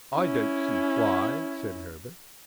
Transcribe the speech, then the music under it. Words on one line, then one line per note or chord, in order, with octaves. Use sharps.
"I don't see why," said Herbert.
C#4 E4